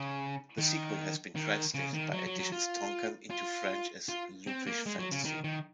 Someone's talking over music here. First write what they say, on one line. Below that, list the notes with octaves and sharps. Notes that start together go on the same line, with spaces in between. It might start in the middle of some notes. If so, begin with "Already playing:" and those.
The sequel has been translated by Editions Tonkam into French as "Ludwig Fantasy".
Already playing: C#3
D#3
D#3
C#3
D#3
F#3
F#3
F#3
F4
F4
F4
C4
A#3
G#3
F#3
C#3
D#3
D#3